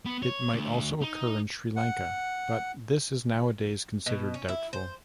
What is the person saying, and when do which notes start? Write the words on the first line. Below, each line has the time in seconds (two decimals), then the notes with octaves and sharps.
It might also occur in Sri Lanka, but this is nowadays considered doubtful.
0.06 B3
0.23 C#5
0.53 D2
1.02 D#4
1.76 F#5
4.06 B2
4.34 C#4
4.48 E4
4.73 C5